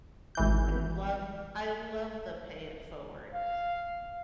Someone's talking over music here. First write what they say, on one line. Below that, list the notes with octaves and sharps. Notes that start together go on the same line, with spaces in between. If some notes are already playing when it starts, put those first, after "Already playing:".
I loved I loved the "pay it forwards."
G#1 E3 G6
F5